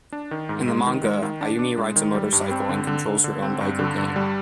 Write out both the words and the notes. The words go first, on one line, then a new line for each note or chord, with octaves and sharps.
In the manga, Ayumi rides a motorcycle and controls her own biker gang.
D4
D#3
G#2
G#3
D#3
G#3
D#3
D4
D4
G#3
D#3
G3
G2
C4
D3
D3
D3
D3
C4
G2
D3
G2
G3